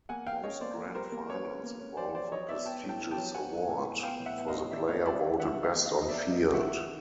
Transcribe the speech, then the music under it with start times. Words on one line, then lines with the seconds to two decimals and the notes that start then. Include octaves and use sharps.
Most grand finals involve a prestigious award for the player voted best on field.
0.09 A#3 F#5 G#5
0.26 A#3 F5 G5
0.44 C#4 C#5 D#5
0.61 A#3 C5 D5
0.78 A#3
0.95 G3 A#4 C5
1.12 A#3
1.29 A#3 B4 C#5
1.47 C#4
1.63 A#3
1.80 C#4
1.97 F#3 C5 D5
2.15 F#3 C5 D5
2.32 F#3 C#5 D#5
2.49 B3 D5 E5
2.65 B3 G5 A5
2.83 A2
2.89 G5 A5
3.00 B3
3.11 G5 A5
3.17 F#3
3.34 B3 F#5 G#5
3.52 F#3
3.69 A2
3.86 B3
4.03 B3 F5 G5
4.20 A2
4.26 E5 F#5
4.37 B3
4.48 D#5 F5
4.54 A2
4.71 D#3 D5 E5
4.88 A#3 C#5 D#5
5.01 D#5
5.05 G3 D5 E5
5.23 D#3
5.40 D#3 E5 F#5
5.57 D#3
5.63 D#5 F5
5.74 A#3
5.85 D#5 F5
5.91 D#3
6.02 D#5
6.08 A#3 D5 E5
6.26 A#3
6.31 D#5 F5
6.43 D#3
6.54 E5 F#5
6.60 D#3
6.77 D#3